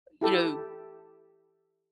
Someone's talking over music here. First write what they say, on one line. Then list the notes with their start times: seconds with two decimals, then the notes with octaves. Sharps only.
you know,
0.21 E4 G4 A4